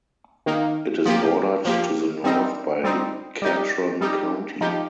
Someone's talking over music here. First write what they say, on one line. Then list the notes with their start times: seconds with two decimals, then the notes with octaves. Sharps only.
It is bordered to the north by Catron County.
0.46 D#3 A#3 D#4
1.06 F3 A#3 G4
1.65 F3 A#3 G4
2.24 G3 C4 D#4
2.84 G3 C4 D#4
3.42 G3 D#4 G4
4.01 G3 D#4 G4
4.61 F3 D#4 G4